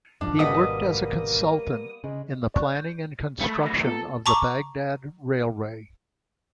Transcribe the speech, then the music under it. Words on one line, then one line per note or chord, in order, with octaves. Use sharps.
He worked as a consultant in the planning and construction of the Baghdad Railway.
F2 G#2 F3 D4
G#1 B2 G3 A#3 B3 D#5 D#6
C#3 G#3
D5 C#6 F#6
G6
A3 B5 C#7
F#3 A3 B5 A#6
B3 F4 A4 A#5
A5 A#5 C#6 D6